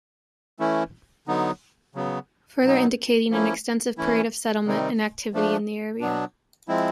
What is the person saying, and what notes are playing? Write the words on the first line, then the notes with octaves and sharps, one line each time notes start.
Further indicating an extensive period of settlement and activity in the area.
E3 A3 C#4 E4
D3 F#3 B3 D#4
C#3 F#3 B3
B2 F#3 B3 D#4
F3 A#3 C#4 E4
E3 A3 C#4 E4
C3 D#3 G3 C4 D#4
F3 A3 D4
B2 F#3 B3 D4
F3 G#3 C4 E4